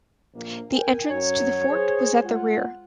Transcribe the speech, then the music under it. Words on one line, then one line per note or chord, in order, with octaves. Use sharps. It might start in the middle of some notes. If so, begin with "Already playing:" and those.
The entrance to the fort was at the rear.
A#1 A#3
A#4 G5 G#5
F#2 F#3 C#5
G#4 C5
G#3 F4 F#5